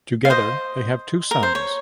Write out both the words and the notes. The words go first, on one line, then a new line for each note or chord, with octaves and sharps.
Together, they have two sons.
F5
C5 D#5
A#4
C5
C#5